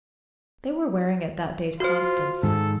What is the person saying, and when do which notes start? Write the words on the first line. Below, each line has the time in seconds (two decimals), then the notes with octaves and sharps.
They were wearing it that day to Constance.
1.80 F4 F#4 C5
2.43 G#2 D#3 A4